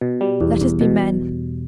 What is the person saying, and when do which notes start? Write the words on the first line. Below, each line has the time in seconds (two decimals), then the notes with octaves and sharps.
Let us be men!
0.01 B2
0.21 G3
0.41 E2
0.61 E2
0.81 B2